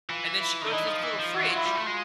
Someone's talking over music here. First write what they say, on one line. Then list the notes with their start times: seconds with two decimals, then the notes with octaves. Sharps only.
And then she goes to this little fridge,
0.09 E3 F4
0.40 E4
0.61 D#3 D4
0.72 E3 D#4
0.87 F3
1.03 E3
1.18 F3
1.34 E3 F#4
1.45 F4
1.50 F#3 E4
1.65 G3 F4
1.76 A3
1.86 G#3